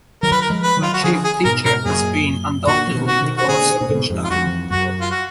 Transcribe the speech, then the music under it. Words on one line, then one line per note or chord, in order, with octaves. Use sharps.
My chief teacher has been, undoubtedly, Nicholas Rubinstein.
D#3 F#3 A#4
B4
A#4
F3 G#3
B4
D#3 F#3
F4
F#4
D3 F3 G#4
G#4
G#2 B2 A#4
G#2 B2 A#4
F#2 A#2 G#4
A#2 D3 F#4
F3
B2 D#3
F#4
B2 D#3
F#4
A#2 D3 G#4
A#2
G#2 B2
F2 G#2
F4
F2 F#4
F#2 F#4
F4
F#4